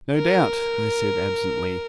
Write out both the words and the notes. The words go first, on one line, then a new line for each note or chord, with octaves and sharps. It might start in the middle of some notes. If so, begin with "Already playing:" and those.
"No doubt," I said absently.
A#4